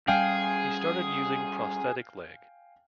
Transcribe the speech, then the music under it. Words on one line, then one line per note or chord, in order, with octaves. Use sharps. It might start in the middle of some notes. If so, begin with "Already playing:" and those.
He started using prosthetic leg.
G3 C#4 G#4 F5 G5 G#5